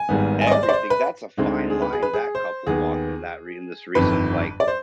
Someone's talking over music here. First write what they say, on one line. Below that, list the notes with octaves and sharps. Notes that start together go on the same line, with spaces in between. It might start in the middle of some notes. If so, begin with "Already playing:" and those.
everything. That's a fine line that couple walked in that re in this recent, like,
Already playing: G#5
G#1 G#2 D#3 G3 B3
G#5
D#5
D5
C5
D5
C5
B4
D2 D3 G#3 C4 D#4
G#4
B4
G#4
B4
G#4
C5
D#2 D#3 B3 G#4
G1 F2 D#3 B4
D5
C5